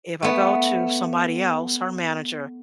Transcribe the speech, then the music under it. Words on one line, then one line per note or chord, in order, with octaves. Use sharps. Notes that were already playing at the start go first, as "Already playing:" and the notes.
If I go to somebody else, her manager,
A3 B3